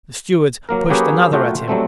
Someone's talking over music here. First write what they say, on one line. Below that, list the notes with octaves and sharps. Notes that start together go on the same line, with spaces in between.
The stewards pushed another at him.
F#3 A#3 A#4
F#3 A#3 C#4 G4 G#4 B4
A3 F4 F#4 G5
F#3 G3 A3 C4